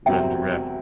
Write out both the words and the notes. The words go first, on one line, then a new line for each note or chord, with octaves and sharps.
When the Rev.
E1 E2 C3 F#3 C4 E5 G5